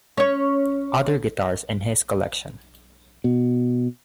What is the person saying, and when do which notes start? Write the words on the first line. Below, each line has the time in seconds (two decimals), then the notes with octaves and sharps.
Other guitars in his collection.
0.17 C#4 C#5
3.24 B2